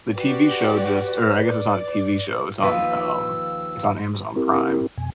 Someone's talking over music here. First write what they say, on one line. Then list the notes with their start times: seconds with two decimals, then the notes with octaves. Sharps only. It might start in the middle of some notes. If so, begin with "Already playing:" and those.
the TV show just or I guess it's not a TV show, it's on, um it's on Amazon Prime.
0.16 F#4 G4 B4 D5
1.32 D5
2.62 D#2 F3 B4 E6
4.36 C4 E4 G4 A#4
4.98 F2 B2 G#5